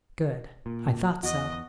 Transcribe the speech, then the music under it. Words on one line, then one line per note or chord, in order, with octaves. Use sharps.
Good, I thought so.
A#2
E2 F#4 D#5